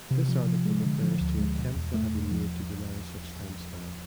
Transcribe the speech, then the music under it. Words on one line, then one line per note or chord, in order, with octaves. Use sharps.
This article refers to attempts that have been made to deny such timespan.
C3
F3
F3
G#3
D3
F3
D2
G#3
B2
E2
A3
E2
F3